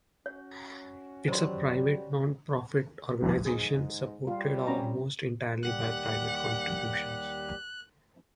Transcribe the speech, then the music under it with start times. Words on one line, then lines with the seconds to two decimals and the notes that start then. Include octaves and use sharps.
It is a private, non-profit organization, supported almost entirely by private contributions.
0.26 C#4 F#4 C#5
1.28 F#3 G3 C5 C6
3.45 G#2 G#4
4.27 G3 F4
4.67 C4 C#4 A#5
5.63 D#2 G3 G4 F#5 F#6